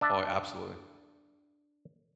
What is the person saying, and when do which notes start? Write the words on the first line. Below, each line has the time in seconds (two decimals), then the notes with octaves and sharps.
Oh, absolutely.
0.01 D4 E5 A5